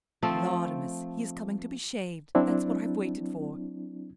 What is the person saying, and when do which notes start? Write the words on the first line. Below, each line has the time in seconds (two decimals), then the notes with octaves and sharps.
Laudamus! he is coming to be shaved; that's what I've waited for.
0.22 F3 A3 C4
2.35 F#3 C4 D4 E4